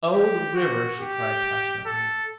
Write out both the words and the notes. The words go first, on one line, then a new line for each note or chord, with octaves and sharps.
'Oh, the river!' she cried passionately.
G4
F#4
G4
A4